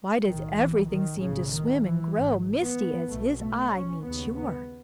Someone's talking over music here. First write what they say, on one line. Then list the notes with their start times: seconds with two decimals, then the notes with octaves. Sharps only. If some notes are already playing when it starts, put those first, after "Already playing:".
Why does everything seem to swim and grow misty as his eye meets yours?
0.24 B1 A2 D#3
0.55 E3
0.88 D#3
1.18 B1 A2 C#3
1.50 D#3
1.82 E3
2.14 G#1 G#2
2.61 B3
3.08 B1 B2 A3
3.40 A3
3.71 C#4
4.02 D#2 C#3 B3
4.34 B3